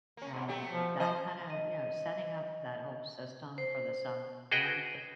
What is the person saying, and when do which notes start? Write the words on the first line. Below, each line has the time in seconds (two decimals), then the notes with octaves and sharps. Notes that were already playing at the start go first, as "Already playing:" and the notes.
and that kinda, you know, setting up that whole system for the summer,
0.17 A#3 C#4
0.34 G#2 B2
0.48 F#3 A3 G4
0.70 F3
1.00 F3 C5 D#5
1.50 D#5
3.58 C5
4.52 F#4 G#4 B4 D#5 G5